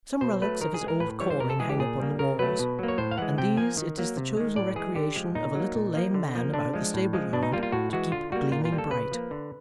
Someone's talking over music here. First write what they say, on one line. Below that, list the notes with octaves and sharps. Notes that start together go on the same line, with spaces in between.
Some relics of his old calling hang upon the walls, and these it is the chosen recreation of a little lame man about the stable-yard to keep gleaming bright.
B2 C5
F#3 A3 B4
D#3 A#4
G#4
G#3
A#4
A2 B4
E3 G3 C#5
C5
C3 A#4
A4
E3 G#3 G#4
G4
A#2 G#4
G3 A#3
C#3 A#4
F#3 A3 B4
B2
F#3 A#3
C#5
A2 C5
F5
E3 G#3 F#5
C3 G5
F3 A#3 G#5
D#3
F#3 A#3
C3
D#3 G#3
A2 D5
E3 G#3 G#4
D3 G4
F3 G#3
A#2 D#4
F#3 A#3
A#2
F3 A#3
D3
F3 A#3
D3 D4
F3 G#3
A2
F3 G#3
B2 D4
D#4
G3 A#3 F4
F4
A2 F#4
E3 G#3 F#4
D3 F4
G3 A#3 F#4
A#2 F4
F4
G3 A#3
A4
C#3 B4
F3 A#3
D3